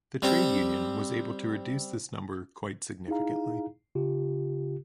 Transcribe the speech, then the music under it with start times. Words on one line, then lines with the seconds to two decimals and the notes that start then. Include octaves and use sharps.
The trade union was able to reduce this number quite significantly.
0.22 G3 C4 G4
3.08 D#4 E4 G#4 F5 A#5
3.95 C#3 F4 G4